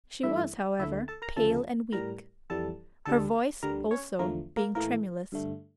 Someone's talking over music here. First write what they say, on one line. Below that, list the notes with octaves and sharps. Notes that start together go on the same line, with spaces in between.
She was, however, pale and weak, her voice, also, being tremulous.
G2 E3 A3 E4 E5
D2 D3 A3 E4 E5
A4 A5
A#4 A#5
D2 C#3 F3 A3 A4 A5
A2 G3 A#4 A#5
F2 E3 G3 A4 A5
D2 D3 G3 A4 A5
D2 D3 G3 A#4 A#5
C#4 C#5
E2 D3 F3 A3 A#3 A#4
A#3 A#4
A2 E3 A3 A#3 A#4
G2 D3 A3